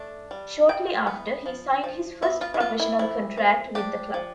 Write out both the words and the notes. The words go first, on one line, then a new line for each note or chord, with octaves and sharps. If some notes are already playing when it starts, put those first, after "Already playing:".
Shortly after, he signed his first professional contract with the club.
Already playing: A3 D4
G3
E3 G5
B3
F3
F3
B3 E5
F4
E4
G3 F4
E4
F3 E4
F3
D4 G4
F3